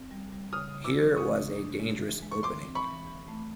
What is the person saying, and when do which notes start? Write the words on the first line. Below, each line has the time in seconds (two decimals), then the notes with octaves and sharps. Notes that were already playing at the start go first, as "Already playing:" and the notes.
Here was a dangerous opening.
Already playing: C4
0.11 G3
0.33 G3
0.53 C#3 D#6 F6
0.75 C#3
0.84 D6 E6
0.95 F3
1.16 C#3 C#6 D#6
1.38 D4
1.59 D4
1.80 G#3
2.01 E3
2.23 G#3
2.31 C#6
2.43 E3 C6 D6
2.65 C4
2.75 B5 C#6
2.86 E3
3.07 E3
3.28 A3